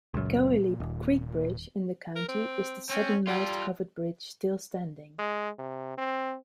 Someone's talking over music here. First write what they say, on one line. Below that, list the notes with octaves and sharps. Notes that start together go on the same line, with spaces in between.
The Cohelee Creek Bridge in the county is the southernmost covered bridge still standing.
C#2 F#2 A#2
D#1
A#4
C4
C4 C#4
G3 F4 A4
G#3
C3
C4